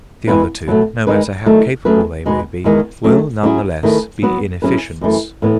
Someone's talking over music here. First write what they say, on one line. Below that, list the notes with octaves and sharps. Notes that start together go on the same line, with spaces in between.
The other two, no matter how capable they may be, will none the less be inefficients.
E3 G#3 B3 E4 B4
B2 F#3 A3
D#3 G#3 D#4 G#4 B4
D#3 F#3 A3 D#4
F#3 A3 C#4 G#4 B4
B2 G#3 D#4 F#4 B4
E2 D#3 G#3 B3
F#3 A3 C#4
F#3 C#4 E4 G#4
D#3 A3 E4 G#4 B4
F#3 B3 F#4
F#3 C#4 E4 G#4 B4
F#2 E3 A3
A2 E3 B3